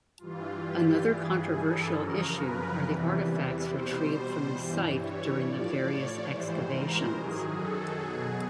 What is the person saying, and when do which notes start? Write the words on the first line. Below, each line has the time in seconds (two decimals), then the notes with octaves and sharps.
Another controversial issue are the artifacts retrieved from the site during the various excavations.
0.18 G2 E3 G3 F4
0.62 G4
1.05 G2 E3 G3 G#4
1.49 A4
1.91 F#2 C#3 F3 A#4
2.35 B4
2.78 E2 C3 E3 G3
3.64 B2 G3 C5
4.51 G2 E3 G3
4.94 C#5
5.38 A2 F3 D5
5.81 C#5
6.24 G#2 E3 G3 C5
6.67 A#4
7.10 F#2 D#3 F#3 G#4
7.54 A4
7.96 B2 F#3 G#4